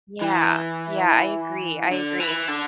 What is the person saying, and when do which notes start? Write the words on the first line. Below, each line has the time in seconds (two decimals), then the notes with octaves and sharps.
Yeah, yeah. I agree, I agree.
0.22 E3
1.91 D3
2.20 E3
2.48 D3